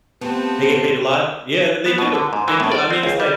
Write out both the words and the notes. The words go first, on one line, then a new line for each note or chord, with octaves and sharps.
They get paid a lot? Yeah, th they do. They do, I mean, it's like
F3 A3 B3 C4 G4
B3
B2
D3
G#2
E3
A2
D5
C4
C#2
G3